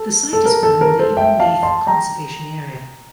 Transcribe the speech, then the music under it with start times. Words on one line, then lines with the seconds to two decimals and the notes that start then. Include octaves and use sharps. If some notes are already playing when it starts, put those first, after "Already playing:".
The site is within the Inverleith conservation area.
Already playing: A4
0.33 A4
0.46 A#4
0.63 A4
0.81 A#4
0.99 A4 C5
1.17 E5 G5
1.40 F5 A5
1.63 A5 C6
1.87 G5 A#5